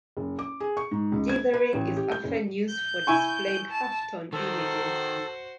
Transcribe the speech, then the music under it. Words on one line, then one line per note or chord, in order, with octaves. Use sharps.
Dithering is often used for displaying halftone images.
F#1
D6
G#4
C#6
G#2
C#2
G#6
B4
A1
G4
G6
F#1
G6
E4 G#5 C#6
A5
D#3 F#4 A4 C5